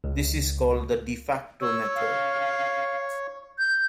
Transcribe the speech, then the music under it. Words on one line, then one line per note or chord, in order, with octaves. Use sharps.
This is called the "de facto" method.
C#2
C#5 E6
F5
G6